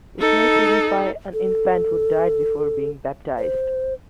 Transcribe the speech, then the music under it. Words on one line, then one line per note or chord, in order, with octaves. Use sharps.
It may signify an infant who died before being baptized.
D#4 A4
A4
C5